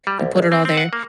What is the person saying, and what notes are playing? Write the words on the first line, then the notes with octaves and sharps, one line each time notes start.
you put it all there,
G3
C2
A#1
C4
C4
F#5
A#3